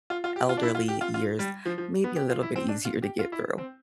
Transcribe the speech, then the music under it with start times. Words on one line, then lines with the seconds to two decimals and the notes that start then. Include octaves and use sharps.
elderly years, maybe a little bit easier to get through.
0.10 F4
0.24 F4
0.36 G4
0.49 F4
0.57 D4
0.63 E4
0.75 F4
0.88 G4
1.01 F4
1.14 F4
1.39 G3
1.66 F3
1.78 F3
2.04 B3
2.16 G4
2.30 F4
2.43 E4
2.56 C4
2.68 D4
2.85 F4
3.02 G4
3.19 F4
3.32 E4
3.58 C4